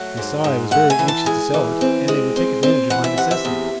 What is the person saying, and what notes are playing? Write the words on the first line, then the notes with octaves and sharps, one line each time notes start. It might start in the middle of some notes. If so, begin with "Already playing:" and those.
They saw I was very anxious to sell it, and they would take advantage of my necessity.
Already playing: F#3 A3 F#5
G#2
G#2
A3 F#5
G#5
E3
A5
G#3 G#5
E3
C4
G#3
C4
C4
E3 F#5
E5
C3 F#5
E5
E2